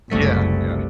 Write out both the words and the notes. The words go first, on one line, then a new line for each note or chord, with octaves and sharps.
Yeah, yeah.
F#1 C2 A3 B6